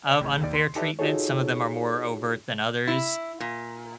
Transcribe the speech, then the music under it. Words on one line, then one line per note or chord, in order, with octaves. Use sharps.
of unfair treatments. Some of them are more overt than others.
D5
A1 C#3
D#2 A#3 D#4 D5
C6
D#4 G4 A4 B4 D5 E5
D#4 F4 F#4 G#4 A4 C#5
E4
A#2